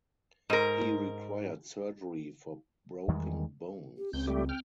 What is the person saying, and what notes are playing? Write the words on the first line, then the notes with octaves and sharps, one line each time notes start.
He required surgery for broken bones.
G#2 A#4
E2 D#3 G3 G#3
G4
C#2 C4 G6
G3 A3 G4
G5 F6